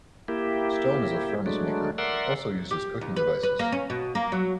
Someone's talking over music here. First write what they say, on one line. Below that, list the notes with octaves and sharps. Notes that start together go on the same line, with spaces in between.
Stone is a furnace maker, also used as cooking devices.
A#3 E4 G4
F#3 G#3 A3 D4
A#4 D5 E5 F#5 C6
G4
D#2
B4
B4
A#3
C#4
B2
A#3
F#3